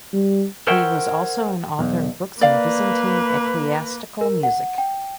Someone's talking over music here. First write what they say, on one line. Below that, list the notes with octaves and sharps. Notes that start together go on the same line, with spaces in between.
He was also an author of books on Byzantine ecclesiastical music.
G3
A#4 C5 C#5 E5 F#5 G5
B1 E2
A#3 B4 D5 F5
A#4
F#5
G5